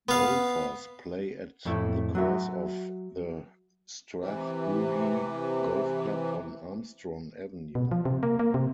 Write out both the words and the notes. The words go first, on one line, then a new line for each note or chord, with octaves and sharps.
Golfers play at the course of the Strathbogie Golf Club on Armstrong Avenue.
B3 F5
F2 A2 A3 E4
F#3 F#4 E5
C3 E3
B2
F3
C3
A#3
A#3
C3